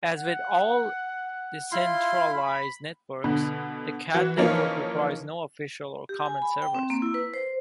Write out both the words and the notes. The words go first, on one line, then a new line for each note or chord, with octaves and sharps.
As with all decentralized networks, the Kad network requires no official or common servers.
F#5
E4 F4 C6
B5
B2 D3
E3 F#4
E3 F3 A#3 C#4 D#4 F4
G4
G#5
B5
G5
C4
A#3
E4
B4
C5